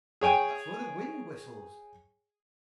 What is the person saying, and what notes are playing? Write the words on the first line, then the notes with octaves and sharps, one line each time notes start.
That's where the wind whistles.
G#4 C#5 G5 G#5